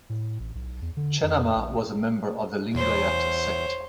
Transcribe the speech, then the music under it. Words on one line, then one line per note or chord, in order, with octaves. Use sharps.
Chennamma was a member of the Lingayat sect.
A2
A1
B1
E2
D3
F2
A#1
E2 C5 C#5